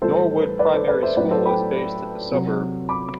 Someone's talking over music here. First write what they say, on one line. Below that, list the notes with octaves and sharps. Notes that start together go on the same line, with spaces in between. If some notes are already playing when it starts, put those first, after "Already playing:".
Norwood Primary School is based in the suburb.
A2 E3 G3 A4 C5
B4
B4 D5
A4 C5
B4 D5
C5 E5
A2 F#3 B4 D5
A4 C5
G5 B5
C3 F#3
B5 D6